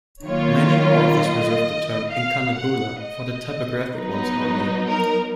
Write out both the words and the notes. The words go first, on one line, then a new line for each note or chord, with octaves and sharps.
Many authors reserve the term "incunabula" for the typographic ones only.
D#3 F#3 A#3 F4 C#5
D#5
F5
F#5
D#5
F#3 B3 D#4 B4
A#4